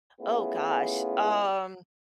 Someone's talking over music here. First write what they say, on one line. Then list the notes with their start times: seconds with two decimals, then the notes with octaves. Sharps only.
Oh gosh. Um.
0.20 A3 B3 C#4 E4 F4 G#4